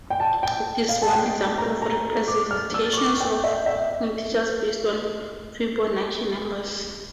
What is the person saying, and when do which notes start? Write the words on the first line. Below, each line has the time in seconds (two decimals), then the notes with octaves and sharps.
It is one example of representations of integers based on Fibonacci numbers.
0.10 G5
0.20 A5
0.43 G5
0.89 F5
1.02 A5
1.13 G5
1.58 A#5
1.82 A#5
2.28 D6
2.51 F6
2.74 E6
2.93 C#6
2.97 D6
3.20 G5
3.44 E5
3.66 E5